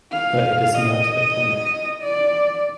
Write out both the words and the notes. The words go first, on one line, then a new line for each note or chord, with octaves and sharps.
But it is not a clinic.
F5
D#5
D5